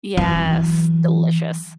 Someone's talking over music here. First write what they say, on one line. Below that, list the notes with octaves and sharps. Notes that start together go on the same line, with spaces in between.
Yes, delicious.
E3 F#3